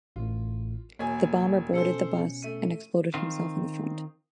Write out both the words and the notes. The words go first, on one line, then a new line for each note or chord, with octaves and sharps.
The bomber boarded the bus and exploded himself in the front.
A1 A2 F4
E1 A#3 C#5 G#5
B2 C#4 G#4 A4 C5 C#7
A3 D#7
D#3 C4 F4